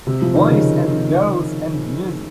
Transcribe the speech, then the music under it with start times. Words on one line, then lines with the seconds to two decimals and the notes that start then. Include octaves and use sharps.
Boys and girls and music.
0.07 C3
0.22 F3
0.35 D#3
0.48 C#3